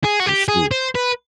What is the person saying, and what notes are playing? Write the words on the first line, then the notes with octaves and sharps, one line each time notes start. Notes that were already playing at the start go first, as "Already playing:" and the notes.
For sure.
G#4
F#4
G4
G#4
C5
B4